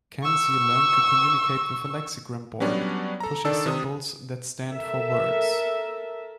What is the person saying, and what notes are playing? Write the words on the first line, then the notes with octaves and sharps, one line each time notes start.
Kanzi learned to communicate with a Lexigram board, pushing symbols that stand for words.
C#6 E6
F#3 G3 B3 C#4 D4
A4 A#5
D#3 D4 A4 D5 E6
C3 D#6
A4 A#4 E5